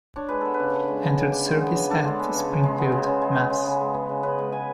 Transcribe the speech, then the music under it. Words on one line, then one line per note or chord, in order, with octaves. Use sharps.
Entered service at: Springfield, Mass.
D4 C#5
G#3 B4
B3 A4
B4
C#3
D4
G#3
B3
C#3
D4
G#3
B3
C#3
D4 A4
G#3
B3
C#3
C#3
G#3
B3
C#3
C#3
G#3
B3
C#3
C#3
G#3
B3
C#3
C#3 B4
G#3
B3 G#5